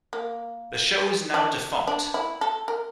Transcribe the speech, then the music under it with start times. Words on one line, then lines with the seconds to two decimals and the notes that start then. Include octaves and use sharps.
The show is now defunct.
0.13 A#3
1.34 D4
1.87 D4
2.14 E4
2.41 A4
2.68 A#4